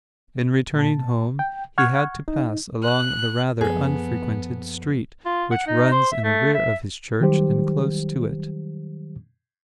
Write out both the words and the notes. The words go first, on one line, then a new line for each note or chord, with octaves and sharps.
In returning home, he had to pass along the rather unfrequented street which runs in the rear of his church, and close to it.
A#2 A5
G5
F#5 C#6 F6 G#6
D#4
F#6
A#1 F#2 B3 G#4 A4
F4
F#5
D#4
C5
E5
A3
E5
D#3 F#3 G3 G4 C5